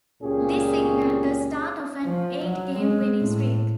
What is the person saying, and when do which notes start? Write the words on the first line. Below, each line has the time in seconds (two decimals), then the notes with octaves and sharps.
This signalled the start of an eight-game winning streak.
0.23 C#2 A#2 C#4 G4 G#4
2.04 F3
2.45 F#3
2.79 G#3
3.21 A2